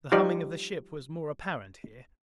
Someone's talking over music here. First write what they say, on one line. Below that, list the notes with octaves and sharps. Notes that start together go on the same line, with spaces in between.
The humming of the ship was more apparent here.
F3 G3 D#4 G4 D5